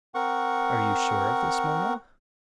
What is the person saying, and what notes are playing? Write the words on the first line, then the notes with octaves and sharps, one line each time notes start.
"Are you sure of this, Mona?"
C4 A#4 F#5 C#6